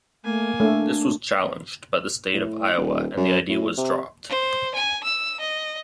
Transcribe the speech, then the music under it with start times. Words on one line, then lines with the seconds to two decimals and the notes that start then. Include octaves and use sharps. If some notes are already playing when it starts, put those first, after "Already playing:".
This was challenged by the state of Iowa, and the idea was dropped.
0.25 A3 A#3 G#5
0.60 A3 D4
2.33 A2
2.76 D#1
3.17 F#2
3.49 A2
3.77 C3
4.29 C5
4.75 G#5
5.03 E6
5.40 D#5